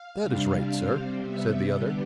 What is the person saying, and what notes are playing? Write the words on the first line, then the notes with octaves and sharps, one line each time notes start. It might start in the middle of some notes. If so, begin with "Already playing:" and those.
"That is right, sir," said the other.
Already playing: F5
C3 G3 D4
C3 G3 C4
C3 G3 B3 E5
D3 G3 B3 G4